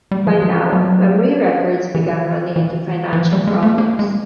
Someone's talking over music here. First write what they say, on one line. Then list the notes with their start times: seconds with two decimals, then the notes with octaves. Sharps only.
By now, Memory Records began running into financial problems.
0.11 G3
0.27 F3
0.42 F3
0.73 F#3
1.95 E3
2.56 E3
3.13 E3
3.17 F3
3.33 G3
3.47 G#3
3.63 A3
3.78 A#3
3.99 G#3